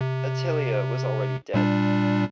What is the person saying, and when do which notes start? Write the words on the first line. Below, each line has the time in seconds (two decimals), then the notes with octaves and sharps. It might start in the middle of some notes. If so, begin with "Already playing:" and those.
Attilia was already dead.
0.01 C3
1.54 A#2 G3 D4